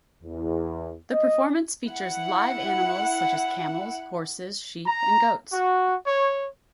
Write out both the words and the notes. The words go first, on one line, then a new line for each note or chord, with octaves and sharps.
The performance features live animals, such as camels, horses, sheep, and goats.
E2
D#5
E4 F#5
A#5
F#4
C#5